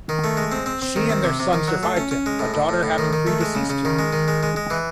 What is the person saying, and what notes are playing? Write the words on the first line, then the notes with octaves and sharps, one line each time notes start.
She and their son survived him, a daughter having predeceased him.
D#3
A3
G#3
C4
C4
C4
D#3
C4
C3
C3
D#3
F#3
A3
C#4
C#4
G#3
A2
A2
A2
A2
D#3
D#3
A3
G#3
C#3
C#3
D#3
G#3
D#3
G#3
G#3
G#3
E3